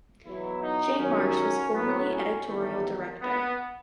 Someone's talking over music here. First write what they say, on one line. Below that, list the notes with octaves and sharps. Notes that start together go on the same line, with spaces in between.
Jane Marsh was formerly editorial director.
E2 B2 F#3 E4
D#4
F#2 D#3 F#3 C#4
A2 F#3 B3
C#4
E2 D#3 F#3 A3
B3